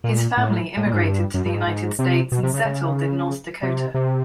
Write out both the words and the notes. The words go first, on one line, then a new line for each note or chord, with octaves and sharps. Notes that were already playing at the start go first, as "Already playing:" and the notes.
His family immigrated to the United States and settled in North Dakota.
A#2
A2
A2
A#2
G#2
G2
F#2
G2
G#2
G#2
C3
B2
C3
C#3
C#3
C3
C3